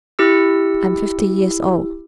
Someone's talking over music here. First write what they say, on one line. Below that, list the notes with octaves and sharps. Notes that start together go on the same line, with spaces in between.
I'm fifty years old.
E4 G4 E6